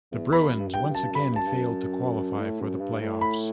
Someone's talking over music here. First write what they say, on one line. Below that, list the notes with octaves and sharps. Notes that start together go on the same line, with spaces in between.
The Bruins once again failed to qualify for the playoffs.
E2
E2 B5
F#2
G2
F#2
G2 G5
F#2
G2
F#2 A5
G2
F#2
G2 B5
F#2
G2
F#2 A5
G2
F#2
A2
F#2
G2
A2
B5